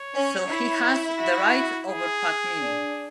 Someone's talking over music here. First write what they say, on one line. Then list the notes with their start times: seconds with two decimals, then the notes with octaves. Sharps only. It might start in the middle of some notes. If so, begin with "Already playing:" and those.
So he has the right over Padmini.
Already playing: C#5
0.14 C#4
0.49 E4
1.19 F#4
1.90 G#4
2.61 D4